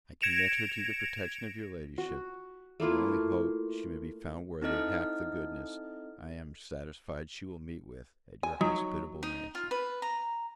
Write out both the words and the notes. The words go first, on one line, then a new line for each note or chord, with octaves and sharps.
I commit her to the protection of your Ladyship, and only hope she may be found worthy half the goodness I am satisfied she will meet with at your hospitable mansion.
G#6 A#6 C#7 D7 E7 F7
F#4
A3 A#3 E4 F4
C4 D#4 E4 A4 D#5 F6
G#5
F#3 D#4
D#4
F4
B4
A#5